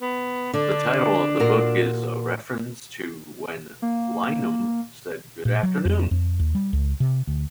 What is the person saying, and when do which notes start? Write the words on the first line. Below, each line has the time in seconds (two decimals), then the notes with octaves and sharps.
The title of the book is a reference to when Lynam said Good afternoon.
0.01 B3
0.54 D3 D4
1.40 A#2 F#4 A#4
3.82 A#3
5.45 A#2
5.63 F#3
5.85 F2
6.11 F2
6.39 D#2
6.55 G3
6.73 C#2
7.00 C3
7.27 D2